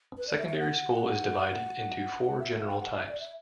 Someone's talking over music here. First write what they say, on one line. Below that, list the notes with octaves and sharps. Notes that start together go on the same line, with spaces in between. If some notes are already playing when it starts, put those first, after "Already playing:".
Secondary school is divided into four general types.
B4
D5
E5
E5
F#5
F#5
E5
E5
G5
F#5
E5
D5
E5